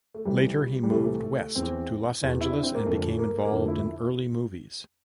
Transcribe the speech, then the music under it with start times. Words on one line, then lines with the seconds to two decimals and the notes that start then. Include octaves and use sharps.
Later he moved west to Los Angeles and became involved in early movies.
0.14 A3
0.25 C2 C3 E3 G3
0.83 G3
0.90 C2 C3 E3 A3
1.55 E2 E3 C4
2.21 E2 E3
2.41 E4
2.52 D4
2.63 C4
2.75 A#3
2.86 F1 F2 D3 F3 A3
3.19 A#3
3.45 A#3
3.51 F1 F2 D3 F3 A3
3.68 E4